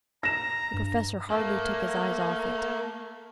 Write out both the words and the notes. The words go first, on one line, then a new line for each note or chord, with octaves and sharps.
The Professor hardly took his eyes off it.
A#5 A#6 E7
G2
A3 A#3